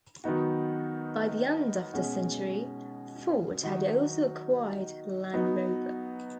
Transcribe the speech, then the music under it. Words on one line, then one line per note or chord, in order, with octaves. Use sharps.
By the end of the century, Ford had also acquired Land Rover.
D#3 F#3 B3 D#4 F#4
B2 G#3 C#4 F#4
D#3 F#3 D#4 F#4
F#3 B3 D#4 F#4